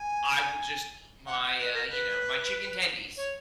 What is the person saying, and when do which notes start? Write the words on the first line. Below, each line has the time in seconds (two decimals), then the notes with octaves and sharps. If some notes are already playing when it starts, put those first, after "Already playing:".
I will just eat my, uh you know, my chicken tendies.
Already playing: G#5
1.26 F#5
1.42 F#5
1.58 B4
1.74 A#4
1.90 B4
3.17 C#5